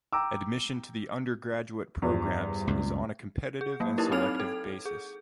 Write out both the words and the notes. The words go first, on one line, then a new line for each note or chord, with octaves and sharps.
Admission to the undergraduate programmes is on a competitive and selective basis.
G5 A#5 D6 E6
E2 G2 F3
C#2 F#2 A#2
G#4
F#3 A#3
D#4 E4 G4 A#4 B4
C4 D#4 A4 C#5 F6 F7
A4
G#4